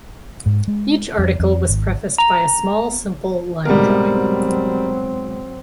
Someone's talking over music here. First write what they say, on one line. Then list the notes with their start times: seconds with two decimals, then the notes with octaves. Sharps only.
Each article was prefaced by a small, simple line drawing.
0.46 G#2
0.68 G#3
1.18 F2
1.40 F2
1.69 G#1
2.18 A#5
3.66 B1 G#2 F#3 G3 C4 A#4